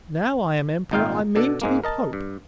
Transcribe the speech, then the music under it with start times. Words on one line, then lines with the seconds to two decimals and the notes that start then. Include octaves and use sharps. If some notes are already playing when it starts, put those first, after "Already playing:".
Now I am emperor, I mean to be pope!
0.91 G#1 A#2 D#4 F4 F5 G5
1.36 B2 D4 A4
1.62 G#2 G#3 A#3
1.84 A#4 D#5 A5
2.13 G2